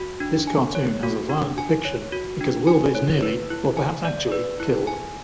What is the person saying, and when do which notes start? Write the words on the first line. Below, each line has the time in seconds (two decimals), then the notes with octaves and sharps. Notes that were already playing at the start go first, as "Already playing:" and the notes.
This cartoon has a violent depiction because Wilbur is nearly, or perhaps actually, killed.
Already playing: F#4
0.20 D4
0.47 G#5
0.75 C#5
1.03 F#4
1.30 D4
1.58 G#5
1.85 C#5
2.12 F#4
2.41 D4
2.67 G#5
2.95 C#5
3.22 B4
3.50 E4
3.77 G#5
4.05 D5
4.32 B4
4.60 E4
4.87 G#5